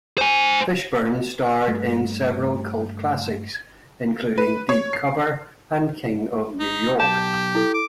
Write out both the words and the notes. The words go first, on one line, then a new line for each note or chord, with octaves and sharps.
Fishburne starred in several cult classics, including "Deep Cover" and "King of New York".
C5 G#5
G2 A3
B4
C#5
C7
D#4
B1 G4 A5 G6
E4 A4
D6